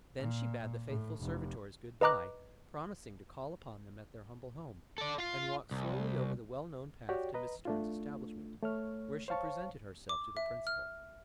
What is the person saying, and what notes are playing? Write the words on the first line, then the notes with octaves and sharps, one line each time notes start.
Then she bade the faithful servitors good-bye, promising to call upon them at their humble home, and walked slowly over the well-known path to Miss Stearne's establishment, where she presented herself to the principal.
A#2
A2
F1
B4 D#5 A#5 D6 F#6
A4 D5
F4 F5
C2
F#4 G4 C#5 D5 G5
B4 D#5 A#5
A3 D4 F4
A3 C#5 F6
C5 C#5 F5 A5 C#6
D6
E5
F6